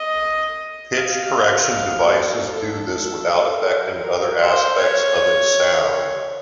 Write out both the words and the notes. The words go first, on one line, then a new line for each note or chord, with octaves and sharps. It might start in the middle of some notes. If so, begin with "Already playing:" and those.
Pitch correction devices do this without affecting other aspects of its sound.
Already playing: D#5
F5
A4
A#4
C5
C#5